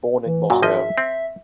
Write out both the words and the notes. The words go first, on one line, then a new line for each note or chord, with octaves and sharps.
Born in Moscow.
E3
F#2 A#2 F#4
G#1 F3 D#5 E5
C4